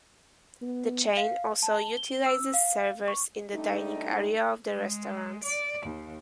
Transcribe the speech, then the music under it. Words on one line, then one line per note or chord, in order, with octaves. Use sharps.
The chain also utilizes servers in the dining area of the restaurants.
B3
F5
A5
G7
E6
F5
C#6
G3 A3 D4 D#4
G#3
D5
D#2